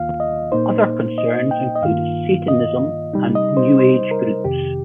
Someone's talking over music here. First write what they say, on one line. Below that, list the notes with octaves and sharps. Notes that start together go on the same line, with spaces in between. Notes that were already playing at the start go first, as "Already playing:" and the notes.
Other concerns included Satanism and New Age groups.
Already playing: D#2 D#3 A#3 F4 F5
D#5
A#2 A#3 D#4 C5
D#5
G5
D#5
G2 D#3 A#3 F4 F5
D#5
C3 G3 D#4
D#5
C5
C5
A#4
F2 C3 D#3 G4